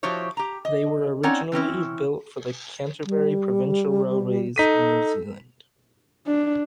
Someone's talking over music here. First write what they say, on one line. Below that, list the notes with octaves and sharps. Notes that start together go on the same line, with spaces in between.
They were originally built for the Canterbury Provincial Railways in New Zealand.
F3 E4 F#4 G4 C5 C#5
G4 A#5
D#5
C4 C#4 D#4 C#5 D5 F#5
E3 C4 C#4 E4
G3
D#4 A4 B6 D#7
D4